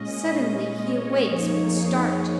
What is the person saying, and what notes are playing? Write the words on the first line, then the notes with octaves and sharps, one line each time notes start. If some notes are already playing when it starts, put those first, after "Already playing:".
Suddenly he awakes with a start.
Already playing: A#2 G#3 C#4 D#5
C#5
F2 F3 A#3 D#4
G#4
G#4